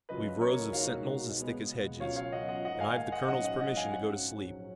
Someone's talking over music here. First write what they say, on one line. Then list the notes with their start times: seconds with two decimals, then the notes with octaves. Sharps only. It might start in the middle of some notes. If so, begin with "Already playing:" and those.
We've rows of sentinels as thick as hedges, and I've the colonel's permission to go to sleep.
0.09 C#2 C#3 F#3 C#4 F4 B4 D#5
0.41 A#4 C#5
0.73 B2 G#3 D#4 F#4 C#5 F5
1.37 C#2 B2 G#3 B3
2.00 C#2 B2 F#3 C#4 F4 C#5 F5
2.16 C#5 F5
2.33 D#5 F#5
2.48 D#5 F#5
2.65 G#1 G#2 D#3 D#5 F#5
2.80 F5 G#5
2.97 F5 G#5
3.12 D#5 F#5
3.28 A#1 G#2 F#3 C#4 D#5 F#5
3.44 D#5 F#5
3.61 D#5 F#5
3.76 F5 G#5
3.92 F#5